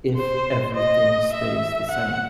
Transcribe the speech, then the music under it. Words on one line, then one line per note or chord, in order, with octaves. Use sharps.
if everything stays the same.
C5
D#5
E5
F#5